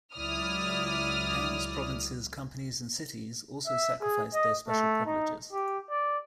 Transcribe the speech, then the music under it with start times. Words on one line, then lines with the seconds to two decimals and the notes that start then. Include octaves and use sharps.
Towns, provinces, companies, and cities also sacrificed their special privileges.
0.15 C#2 F#3 E4 D5 D#6 F6
3.66 E5
4.01 G#4
4.34 D#5
4.68 A3
5.06 D#4
5.53 G4
5.90 D5